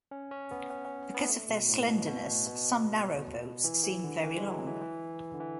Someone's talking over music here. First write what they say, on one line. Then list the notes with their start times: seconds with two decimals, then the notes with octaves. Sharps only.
Because of their slenderness, some narrowboats seem very long.
0.11 C#4
0.31 C#4
0.51 B3
0.70 C#4
0.85 C#4
1.14 B3
1.29 A3
1.49 B2
1.69 A2
1.88 B2
2.07 B2
2.47 B2
3.64 E3
3.83 E3
4.03 D3
4.23 E3
4.37 G#3
4.52 F#3
4.67 E3
4.82 E3
5.34 D3
5.40 E3